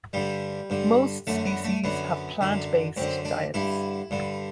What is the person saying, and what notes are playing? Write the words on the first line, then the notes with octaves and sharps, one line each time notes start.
Most species have plant-based diets.
G2 D3 G3
G2 D3
F#2 D3 A3
B3
A3
F#2 D3 B3
F#2 D3
F#2 D3 C4
D4
G2 D3 E4
G2 D3